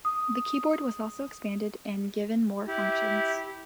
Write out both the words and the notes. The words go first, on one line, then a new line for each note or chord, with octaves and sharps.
The keyboard was also expanded and given more functions.
D#6
E4 G4